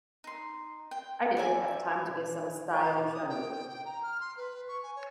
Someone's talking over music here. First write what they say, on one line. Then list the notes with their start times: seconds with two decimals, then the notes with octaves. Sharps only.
I didn't have time to get some stylish underwear.
0.24 D#4 C6
0.91 G5
1.37 D5 E5 G#5
2.81 D6
3.13 D#6
3.29 G5
3.69 G5
3.85 A#5
4.03 F6
4.20 C6
4.37 B4
4.68 C#6
4.83 G#5
4.96 C#5